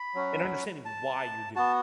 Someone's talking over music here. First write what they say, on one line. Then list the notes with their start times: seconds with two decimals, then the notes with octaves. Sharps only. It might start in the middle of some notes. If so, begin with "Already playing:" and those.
and understanding why you're doing it.
Already playing: B5
0.15 F#3 C#4 F#4
0.85 A5
1.56 B3 F#4 A5